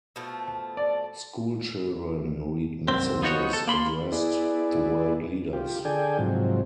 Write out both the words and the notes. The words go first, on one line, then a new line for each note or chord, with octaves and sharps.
School children read messages addressed to world leaders.
B2 F3 A3
D5
C2 F#2 C4
F3 B3 D#4 F#4 C#5
A4
A#3 B5 C6
B3 E4 G#4 D5
F4 G4
D3 G#4 A4 D5 G5 G#5
G#2 C3 F3 F#3